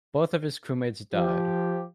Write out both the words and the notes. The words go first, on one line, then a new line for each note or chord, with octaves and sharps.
Both of his crewmates died.
F3 G4